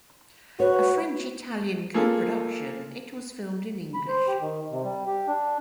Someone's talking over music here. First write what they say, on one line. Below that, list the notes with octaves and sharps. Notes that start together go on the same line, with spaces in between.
A French-Italian co-production, it was filmed in English.
F#4 B4 C#5
A#3 F4 G#4 A4
B5
C5
G4
D#3
C3
G3
G4
D4